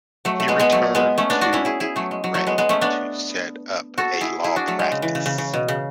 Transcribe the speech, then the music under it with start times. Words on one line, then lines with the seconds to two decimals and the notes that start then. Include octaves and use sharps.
He returned to McRae to set up a law practice.
0.25 F#3 A3
0.40 A3
0.48 G#3 B3
0.60 G#3 B3
0.72 F#3 A3
0.95 G#3 B3
1.18 A3 C#4
1.30 B3 D4
1.41 D4 F#4
1.53 C#4 E4
1.65 E4 G#4
1.80 E4 G#4
1.96 F#3 A3
2.11 G#3
2.24 F#3
2.34 F#3 A3
2.47 G#3 B3
2.58 G#3 B3
2.69 A3 C#4
2.81 B3 D4
3.98 F#4 A4
4.21 E4 G#4
4.44 E4 G#4
4.56 D4 F#4
4.68 F#3 A3
4.79 G#3
4.92 C#3
5.02 E3
5.15 C#3
5.26 C#3
5.38 C#3
5.54 B2
5.68 C#3